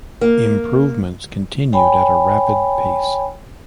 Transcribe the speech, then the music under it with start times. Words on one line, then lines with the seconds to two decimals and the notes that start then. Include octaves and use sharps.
Improvements continued at a rapid pace.
0.21 A#3
1.73 C#5 G5 G#5 B5